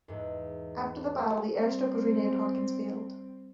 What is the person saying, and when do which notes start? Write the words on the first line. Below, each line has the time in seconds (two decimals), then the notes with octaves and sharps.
After the battle the airstrip was renamed Hawkins Field.
0.08 E2 G#2
1.57 G3 C4